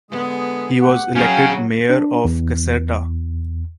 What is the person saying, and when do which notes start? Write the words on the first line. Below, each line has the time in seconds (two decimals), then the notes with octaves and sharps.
He was elected mayor of Caserta.
0.11 D3 G#3 B3 G#4
0.82 A3 G4 F#5
1.15 F#3 C#4 G#4 F5 G5 G#5
1.90 D4
2.25 E2